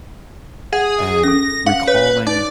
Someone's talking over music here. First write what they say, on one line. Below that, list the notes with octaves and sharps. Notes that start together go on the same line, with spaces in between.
and recalling
G#4 F#5
C#4 A4 A#6
F5 F#5
B4 C#5
D#4 D5